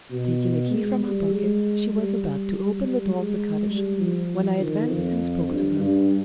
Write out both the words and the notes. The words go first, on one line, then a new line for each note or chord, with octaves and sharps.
Taking a key from her pocket, she was about to open the door of the cottage, when I advanced and spoke to her.
B2
G#3
G3
G#3
G3
G3
G3
G#3
G3
F3
D#3
F2
G2
G2